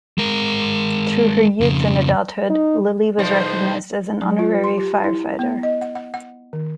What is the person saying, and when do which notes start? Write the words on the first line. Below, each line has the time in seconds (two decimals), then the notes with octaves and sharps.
Through her youth and adulthood Lillie was recognized as an honorary firefighter.
0.18 G#3 A#4
1.61 F2 C#3
2.50 D#4
3.19 E2 F3 D#4 A4 C5
4.22 F#3
4.39 F4
4.64 C6
4.78 G4
5.04 E4
5.39 B3
5.63 D#5
5.81 F#5
5.95 F#5
6.14 F#5
6.53 D#3